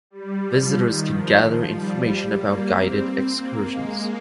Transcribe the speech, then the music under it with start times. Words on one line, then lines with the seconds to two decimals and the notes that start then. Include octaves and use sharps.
Visitors can gather information about guided excursions.
0.10 G3
0.43 F3
0.76 D#3
1.08 F3
1.41 F3
1.73 G3
2.38 A#3
2.70 C4
3.35 A#3
3.68 G#3